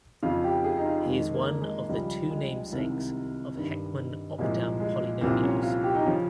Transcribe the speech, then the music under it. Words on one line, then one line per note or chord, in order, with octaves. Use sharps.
He is one of the two namesakes of Heckman–Opdam polynomials.
F2 C#3 F3 F4
G4
G#4
D#4
F4
F2 D#3 G#3
A#3
G#3
C#2 C#3 F3 G3
G#3
C2 C3 D#3
G2 D#3
C2 A#2 F3 G#3
G#3
C2 A#2 F3 C4
C4
C#4
F4
G4
D#4
C#3 F3 C#4